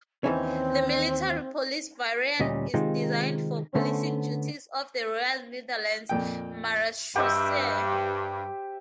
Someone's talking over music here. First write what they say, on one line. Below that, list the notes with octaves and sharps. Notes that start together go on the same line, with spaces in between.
The military police variant is designed for policing duties of the Royal Netherlands Marechaussee.
D#2 E3 C4 C#4
D2 A#2 G3 C#4 D#5
C3 D#3 G#3 C4 D#4 F4
D3 A3 B3 C#4 B4 C5
F2 A#2 G5
G2 G4 C5 D#5 E5 F#5